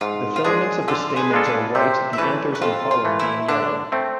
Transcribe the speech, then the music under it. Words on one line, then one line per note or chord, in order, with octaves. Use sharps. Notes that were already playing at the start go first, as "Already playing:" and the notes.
The filaments of the stamens are white, the anthers and pollen being yellow.
G#2 F4
F4
G#3 D4 G#4
D3 F4 A4
G#4 B4
G#3 D4 F4 A4
B4 D5
C3 C5 E5
E5
E3 A3 B4 D5
B4
F2 F4 A4
F4
E3 A3
E4
D3 D4
A3 C4